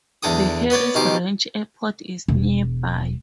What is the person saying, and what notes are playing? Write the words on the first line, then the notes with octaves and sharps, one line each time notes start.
The Harris Ranch Airport is nearby.
E2 D3 A4 G5 D#6
B3 B4 C#5 D5
B2 D#3 G4 C5
E1